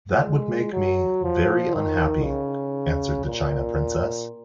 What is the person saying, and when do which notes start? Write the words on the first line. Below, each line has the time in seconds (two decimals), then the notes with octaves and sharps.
"That would make me very unhappy," answered the china princess.
0.22 G#3
0.73 F#3
1.24 F3
1.74 D#3
2.24 C#3
3.25 A#2